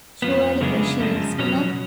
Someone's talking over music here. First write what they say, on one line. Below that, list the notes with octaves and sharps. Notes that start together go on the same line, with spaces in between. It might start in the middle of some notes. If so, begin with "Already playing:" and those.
Surely a shilling's enough?
F2 F3 B3
F#2 C#3 G#3 B3 D4
F#2 C#3 F3 G#3
B2 F#3 C#4 F#4 C#5